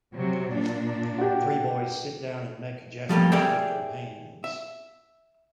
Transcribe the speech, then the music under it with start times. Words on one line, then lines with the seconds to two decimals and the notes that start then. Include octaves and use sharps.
Three boys sit down and make gestures with their hands.
0.13 C3 F#3
0.52 A#2 D4
1.18 F#4 G4
3.09 F3 G3 A3 A#3
3.32 G4 G#4 D5 E5 G5
4.44 E5